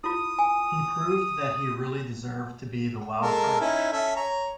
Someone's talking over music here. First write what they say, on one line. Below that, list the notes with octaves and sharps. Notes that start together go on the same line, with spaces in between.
He proved that he really deserved to be the wild card pick.
E4 F4 D#6
G#5
G#3 A4 A#4
C#4 D#4 E4
C#4 A4 E5
C#5 A#5